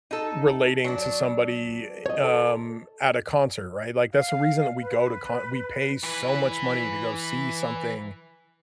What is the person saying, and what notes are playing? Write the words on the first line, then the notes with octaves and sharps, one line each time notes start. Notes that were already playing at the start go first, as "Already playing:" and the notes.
r relating to somebody, a um, at a concert, right? Like, that's the reason that we go to con we pay so much money to go see something
D#4 A4
F#3 D4
C#5 D#5
A4
F5
B4
E3 B4